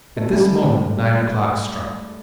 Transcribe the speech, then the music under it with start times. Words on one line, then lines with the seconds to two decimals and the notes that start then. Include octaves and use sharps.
At this moment nine o'clock struck.
0.17 A3
0.25 G#3
0.32 G3 A3